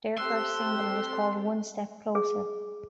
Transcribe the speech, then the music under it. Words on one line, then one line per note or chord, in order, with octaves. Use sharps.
Their first single was called "One Step Closer".
C4 G4 A4 C6 E6 F#6
G#4